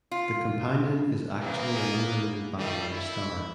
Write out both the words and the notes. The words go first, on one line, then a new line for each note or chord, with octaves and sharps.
The companion is actually an unrelated background star.
F4
C#3 E3 A#3 B3
B3 G#4
D#3 G3 A3 F4
E4